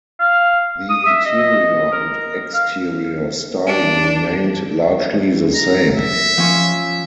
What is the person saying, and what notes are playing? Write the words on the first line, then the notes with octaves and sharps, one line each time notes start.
The interior and exterior styling remained largely the same.
F5
D#6
E5
D#5
A#4
F5
D4
A#5
E5
F3 C#4